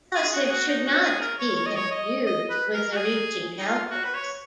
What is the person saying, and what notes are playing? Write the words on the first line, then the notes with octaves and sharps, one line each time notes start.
Thus it should not be confused with the Ricci calculus.
G#4
F#4
G#4
F#4
D#4
F#4
G#4
A#4
C#5
C#5
D#5
C#5
D#5
D#5
B4
A#4
F#4
G#4
D#4
F4
F#4
B4
C#5